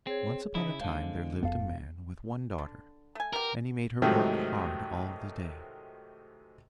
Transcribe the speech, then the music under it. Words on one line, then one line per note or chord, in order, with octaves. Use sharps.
Once upon a time there lived a man with one daughter and he made her work hard all the day.
C4 G#4 C#5 G#6
C#3 D#4 E4
D3 G#3 C5 F5 A5
F1 F2 B3 A4 F5
D3
A3 G#5
B2 G4 A#4
G#2 C3 D#3 F3 F#3 A3